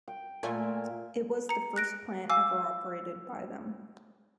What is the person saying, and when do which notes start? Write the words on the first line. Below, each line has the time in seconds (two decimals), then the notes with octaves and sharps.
It was the first plant ever operated by them.
0.08 G5
0.43 A#2 A3 E5 G#5 C6
1.49 A#5 C#7
1.76 F#6 A#6 D7
2.30 F5 G#5 D6 E6